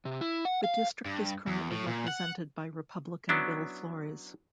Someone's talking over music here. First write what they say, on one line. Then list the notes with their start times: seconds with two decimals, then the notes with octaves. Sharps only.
The district is currently represented by Republican Bill Flores.
0.05 C3
0.21 E4
0.45 F#5
0.64 F5
1.05 G2
1.47 E2
1.71 A2
1.87 A#2
2.08 F#5
3.29 F#3 B3 C#4 D4 E4